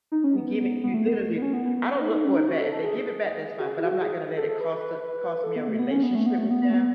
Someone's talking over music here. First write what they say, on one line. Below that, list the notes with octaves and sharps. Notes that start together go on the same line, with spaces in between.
you give it, you literally I don't look for it back, if they give it back, that's fine, but I'm not gonna let it cost a cost me a relationship with them
D#4
C#4
B3
B3
B3
A3
B3
A3
B3
C#4
B3
B3
B3
C#4
D#4
E4
D#4
C#4
D#4
F#4
A4
A4
G#4
F#4
G#4
E4
F#4
G#4
A4
A4
B4
B4
A4
B3
A3
B3
C#4
B3
A3
B3
A3
B3
B3
A3
B3